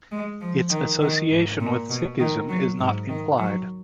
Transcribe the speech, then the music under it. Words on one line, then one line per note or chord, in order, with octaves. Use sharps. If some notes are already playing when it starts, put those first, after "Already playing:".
Its association with Sikhism is not implied.
G#3
F3
D#3
D#3
G#2
A#2
B2
D#3
F#3
G#2
D#3
F#3